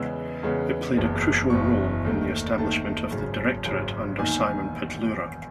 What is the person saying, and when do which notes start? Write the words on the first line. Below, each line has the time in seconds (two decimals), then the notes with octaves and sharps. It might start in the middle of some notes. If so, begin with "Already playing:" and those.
It played a crucial role in the establishment of the Directorate under Symon Petlura.
Already playing: E2 C#3 G#3 B3 E6
0.43 E2 C#3 G#3 B3
0.97 F#1 E2 B2
1.50 F#1 E2 B2 C#6
2.05 D#2 D#3 A3
2.58 D#2 D#3 A3 A5
3.11 G#1 F#2 C#3
3.65 G#1 F#2 C#3
4.19 E1 D#2 D#3 G#5